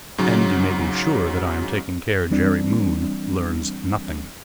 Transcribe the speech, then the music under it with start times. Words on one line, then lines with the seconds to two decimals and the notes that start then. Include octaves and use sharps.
And you may be sure that I am taking care Jerry Moon learns nothing.
0.18 G#2 C#3 F#3
2.31 E3 G3 C4 D4